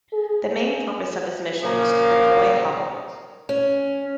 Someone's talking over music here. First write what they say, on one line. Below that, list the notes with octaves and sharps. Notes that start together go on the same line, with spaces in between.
The main purpose of this mission was to deploy Hubble.
G#4
A#2 C#3 F3 A#3
C#4